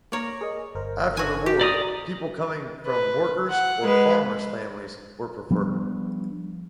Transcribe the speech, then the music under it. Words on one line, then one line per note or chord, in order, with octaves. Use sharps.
After the war people coming from workers' or farmers' families were preferred.
A#3 A#4 C#5 D5 A#6
G#4 A#4 D#5
G1 A#4 C5
A2 F#4 G#5
F#4 G4
D5 A#5 D#6
B4
F#5
G#3 B4
F3 G3 B3 D4